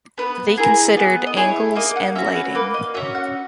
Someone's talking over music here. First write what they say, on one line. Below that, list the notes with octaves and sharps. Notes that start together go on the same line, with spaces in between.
They considered angles and lighting.
B3 B4
E4 G#4 A#4
B3
D#5
E4 G#4 C#5
A#3 D#5
F#5
C#4 F#4 E5
B4
A#3 B4
D#5
C#4 F#4 E5
F#5